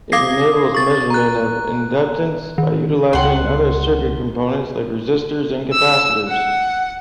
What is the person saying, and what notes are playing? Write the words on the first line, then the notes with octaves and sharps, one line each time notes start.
It enables measurement of inductance by utilizing other circuit components like resistors and capacitors.
F5 D6 D#6 G#6 A#6 C7
C#6 A6
A#5 F#6
D#3
C#2 F#5 C6
E6
F#5